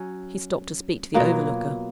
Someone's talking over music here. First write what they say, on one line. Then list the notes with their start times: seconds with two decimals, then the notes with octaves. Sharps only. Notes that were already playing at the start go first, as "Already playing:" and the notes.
He stopped to speak to the overlooker.
Already playing: F#3 C#4
1.14 B2 F#3 A#3 F4